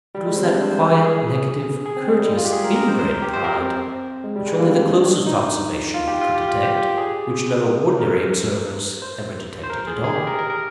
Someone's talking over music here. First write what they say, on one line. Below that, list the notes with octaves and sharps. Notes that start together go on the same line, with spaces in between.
It was that quiet, negative, courteous, inbred pride, which only the closest observation could detect; which no ordinary observers ever detected at all.
G3
G#3
C4
D4
C5
C5
A#4
G#4
G#4
G#4
C4
G#3
G3
G#3
F4
G4
G#4
A#4
A#4
C5
C5
A#4
G4
C5
A#4
C4
G#3
G3
G#3
A#3
C4
D4
D#4
F4
G4
F4
G4
F4
G4
G#4
C5
A#4
C5
C5
A#4
G#4
G#4
G4
A#4
A#4
A#4